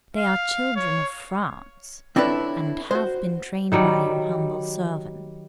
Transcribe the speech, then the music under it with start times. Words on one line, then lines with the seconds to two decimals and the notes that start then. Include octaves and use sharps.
They are children of France, and have been trained by your humble servant.
0.17 F5
0.76 C#5
2.16 C4 D4 E4 A4 B4 C#5
2.91 F#4 C5
3.72 D#3 F#3 G3